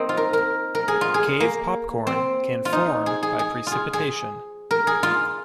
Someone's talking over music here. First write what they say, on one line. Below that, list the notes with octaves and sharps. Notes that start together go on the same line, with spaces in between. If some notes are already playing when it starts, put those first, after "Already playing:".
Cave popcorn can form by precipitation.
Already playing: A#3 C4 D#4
F4
A#4
A#4
A#4
G#4
F4
G#4
A#3
C4
F4
D#4
G#4
G#4
G#4
F4
G#4
G#4
A#4
G#4
F4